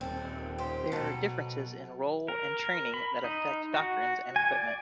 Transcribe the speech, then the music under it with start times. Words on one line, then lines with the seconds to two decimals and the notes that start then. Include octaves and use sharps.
There are differences in role and training that affect doctrines and equipment.
0.01 D#1 C4 A4
0.58 G4 C5
0.92 B2 F#3 A4
2.28 A#4
2.60 A#4
2.94 B5
3.24 D#4
3.74 F#4
4.36 G#5
4.53 D5